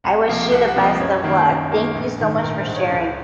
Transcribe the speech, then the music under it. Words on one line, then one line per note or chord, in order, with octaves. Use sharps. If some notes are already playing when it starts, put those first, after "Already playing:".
I wish you the best of luck. Thank you so much for sharing,
C2 F#5
C3 F3 A#3 F5
C2 F#5
F#5
C3 F3 A#3
D#5
F#2 C#5
D#3 A#3
F#2
D#3 A#3
A#1
G#2 D#3
A#1 A#4
C5
G#2 D#3
C#5
C#2